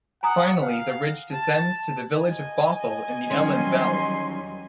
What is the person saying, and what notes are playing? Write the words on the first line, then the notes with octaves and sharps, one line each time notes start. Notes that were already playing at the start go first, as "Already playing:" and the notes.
Finally the ridge descends to the village of Bothel in the Ellen Valley.
F#5 G#5 A#5 D#6
F5 F#5
A5
D#5 G#5
E2 D#3 F#3 G3 C#4 C6